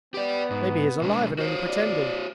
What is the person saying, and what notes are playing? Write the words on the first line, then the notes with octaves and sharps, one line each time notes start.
Maybe he is alive and only pretending!
B3 G4 D5
G#2
B2 D3 G#3
F#4 C5 C#5
D5